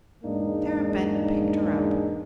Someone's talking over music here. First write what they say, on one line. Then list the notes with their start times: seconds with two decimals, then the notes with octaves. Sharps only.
Sara bent and picked her up.
0.24 E2 G#2 G#3 A#3 D4 D#4